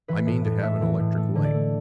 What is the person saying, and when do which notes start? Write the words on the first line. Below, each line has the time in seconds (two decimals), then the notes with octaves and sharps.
"I mean to have an electric light."
0.08 E3 B4
0.27 A2
0.45 A2
0.62 A3 E5
0.82 E3
0.99 A2
1.17 A3
1.36 D3
1.44 D5
1.54 A3